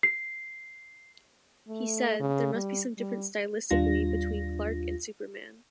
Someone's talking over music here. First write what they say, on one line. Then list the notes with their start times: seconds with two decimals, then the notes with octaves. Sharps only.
He said, there must be some difference stylistically between Clark and Superman.
0.03 C7
1.69 A3
2.20 C#3
2.54 G3
2.98 G3
3.70 D#2 G3 D4 F4 A#6